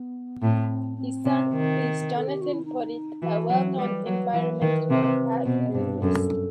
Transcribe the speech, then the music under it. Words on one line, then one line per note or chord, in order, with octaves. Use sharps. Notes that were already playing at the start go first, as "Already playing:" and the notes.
His son is Jonathon Porritt, a well-known environmental activist.
Already playing: B3
A2 C4
C4
C3
D#3
A4
G4
F#4
E4
D#4
E3 F#4
F#3
G3 B4
F#3
E3 B4
D#3
C3
B2 C5
D#5
G2 C5
B4
F#2 A4